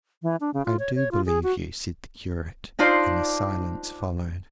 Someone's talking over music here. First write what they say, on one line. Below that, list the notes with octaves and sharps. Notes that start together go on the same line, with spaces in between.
"I do believe you," said the curate, and a silence followed.
E3
D4
C#3
F4
C#5
C#5
F4
G#4
F#4
D4 D#4 F4 C5 D5